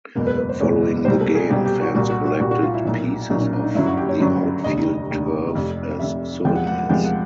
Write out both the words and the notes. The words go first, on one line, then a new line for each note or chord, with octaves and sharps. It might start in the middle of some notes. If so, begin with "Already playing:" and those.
Following the game, fans collected pieces of the outfield turf as souvenirs.
F#1 E2 B2 G#3 A#4
B4
B4
C5
F#1 E2 B2 G#3 C#5
C2 B2 G3 C5
A4
G#4
C2 B2 G3 G4
G4
F#4
C2 A#2 G3 F#4
F#4
F#4
C2 A#2 G3 F#4
F#4
F4
E4
B1 A#2 F#3
B1 A#2 F#3 D#4
C#4
D4
D#4
G1 F#2 C#3 F#3 E4
F#4
G4
C#5
G1 F#2 C#3 F#3 D5
F1 D#2 D3 D#5
F1 D#2 D3
F1 F2 C3
F1 F2 C3 E5
E2 C3 F3 G#3 G5
F#5
F#5
F#5
E2 C3 F3 G#3 G5
F#5